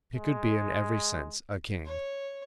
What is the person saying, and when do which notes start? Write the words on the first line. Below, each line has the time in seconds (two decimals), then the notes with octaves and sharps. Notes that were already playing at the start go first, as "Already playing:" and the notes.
He could be in every sense a king.
0.15 G#3
1.86 C#5